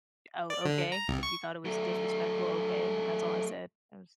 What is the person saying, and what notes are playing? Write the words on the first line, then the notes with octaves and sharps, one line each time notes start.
"Oh, okay. If you thought it was disrespectful, okay." And that's all I said. I was
D5
D3
A#5
C2
C#6
F#3 A3